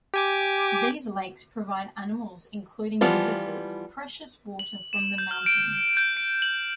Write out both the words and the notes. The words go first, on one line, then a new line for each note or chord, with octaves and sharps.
These lakes provide animals including visitors precious water from the mountains.
G4 G#5 D6
E3 F3 G3 B3 F4
F#7
E7
G6
F6
D7
G6
D7
F#7